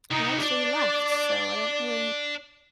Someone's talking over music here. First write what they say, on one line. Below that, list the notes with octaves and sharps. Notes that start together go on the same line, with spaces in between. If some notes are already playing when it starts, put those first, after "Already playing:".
we actually left, so I don't really
C3 B3 D#4
D4 D5